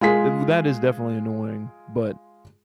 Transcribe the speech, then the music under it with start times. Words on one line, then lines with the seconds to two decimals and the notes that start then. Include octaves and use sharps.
w that is definitely annoying, but
0.01 G#3 F4 G#4 B6